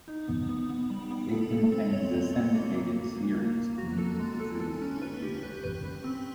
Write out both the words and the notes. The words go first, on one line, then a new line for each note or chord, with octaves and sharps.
It contained the syndicated series "New Zoo Revue".
D#4
B3
B3
B3
G3
B3
A4
A4
C4
C#5
C#5
C4
A#3
A#3
A#3
A#3
A#3
A#3
F#4
A4
G#3
A4
A4
C#4
B4
G4
B4
B4
B4
C4